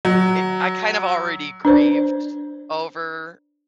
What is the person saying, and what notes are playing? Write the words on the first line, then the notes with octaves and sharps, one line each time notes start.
I I kind of already grieved over
F#3
D4 B4 C5 D5